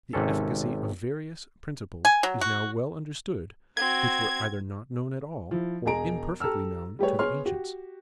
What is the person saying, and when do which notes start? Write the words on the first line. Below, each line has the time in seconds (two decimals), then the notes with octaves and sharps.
The efficacy of various principles is now well understood, which were either not known at all, or imperfectly known to the ancients.
0.13 G#1 C3 C#4 A4
2.05 G#5
2.23 F#3
2.41 F#4
3.77 C4 F#4 G#6
5.51 F3 E4
5.86 E1 G#4 D#5 G#5 A#5 D7
6.40 G4 A4 A#5 E6 F6
6.99 G3 A3 G4 G#4 B4 C#5
7.19 B3 G#4 C#5 C6 F6
7.46 F#4 G4